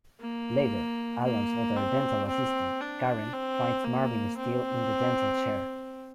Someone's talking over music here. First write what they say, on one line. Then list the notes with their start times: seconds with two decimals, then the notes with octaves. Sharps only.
Later, Alan's other dental assistant, Karen, finds Marvin still in the dental chair.
0.20 A#3
1.24 A#3
1.77 C4
2.28 C4
2.81 D4
3.33 C4
3.85 A#3
4.38 C4